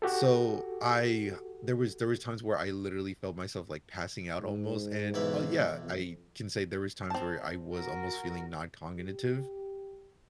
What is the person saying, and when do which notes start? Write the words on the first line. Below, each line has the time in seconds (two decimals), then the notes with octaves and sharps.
So, I there was there was times where I literally felt myself, like, passing out almost, and Oh, yeah. I can say there was times where I was almost feeling noncognitive.
0.02 F#4 G4 A4
4.39 G#2
5.14 B1 E3 B4
5.81 F2
7.10 C4 A5
7.75 F#4 A#4
8.97 G4